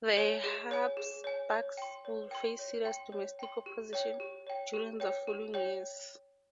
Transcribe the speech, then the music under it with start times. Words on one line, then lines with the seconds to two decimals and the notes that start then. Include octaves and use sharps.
The Habsburgs would face serious domestic opposition during the following years.
0.17 C#5 G#5
0.44 G#4
0.71 C#5 G#5
0.97 G#4
1.24 C#5 G#5
1.51 C#5
1.77 G5 C6
2.05 C#5
2.31 G5 C6
2.59 C#5
2.85 G5 C6
3.12 C#5
3.39 G5 C6
3.66 G4
3.93 C#5 G5
4.20 G4
4.47 C#5 G5
4.74 G4
5.00 C#5 G5
5.27 G4
5.54 C#5 G5